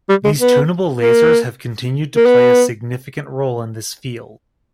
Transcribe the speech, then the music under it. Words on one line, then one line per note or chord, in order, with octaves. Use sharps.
These tunable lasers have continued to play a significant role in this field.
G3
G#3
B3
A#3
A#3
B3